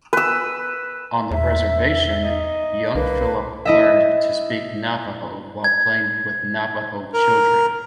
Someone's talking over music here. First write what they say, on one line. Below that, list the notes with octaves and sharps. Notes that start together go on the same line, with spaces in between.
On the reservation, young Philip learned to speak Navajo while playing with Navajo children.
B4 E6
E2 E5
D#4
C2 A#3 B4
E4 D#5 E5
G#6
A#4